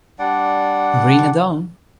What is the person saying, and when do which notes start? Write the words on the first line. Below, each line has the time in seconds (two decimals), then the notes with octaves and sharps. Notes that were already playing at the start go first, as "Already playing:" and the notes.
Ring a dong!
0.19 G3 D4 D5 F#5